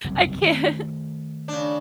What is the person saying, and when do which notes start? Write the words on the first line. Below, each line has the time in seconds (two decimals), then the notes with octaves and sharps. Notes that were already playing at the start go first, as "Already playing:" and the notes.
I can't.
0.04 F#1 C2 G2
0.42 D#3 A3
1.48 C#3 D4